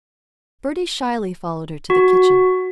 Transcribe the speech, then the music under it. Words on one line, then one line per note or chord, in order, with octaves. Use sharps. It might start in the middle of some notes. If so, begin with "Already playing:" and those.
Bertie shyly followed her to the kitchen.
F#4